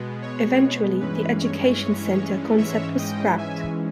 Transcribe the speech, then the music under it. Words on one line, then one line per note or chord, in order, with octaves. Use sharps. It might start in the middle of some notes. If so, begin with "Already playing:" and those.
Eventually the "Education Center" concept was scrapped.
Already playing: B2 G#3 B3
C#5
G2 E3 G#3 C#4 B4
C#5
G#2 E3 G#3 C#4 C#5 E5
D#5 G5
E5 G#5